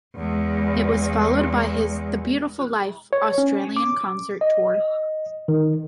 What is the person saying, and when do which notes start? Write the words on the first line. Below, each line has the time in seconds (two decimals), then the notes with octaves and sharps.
It was followed by his "The Beautiful Life" Australian concert tour.
0.16 E2 G#3
3.13 C#5
3.38 C#4
3.77 D6
4.41 D#5
5.48 D#3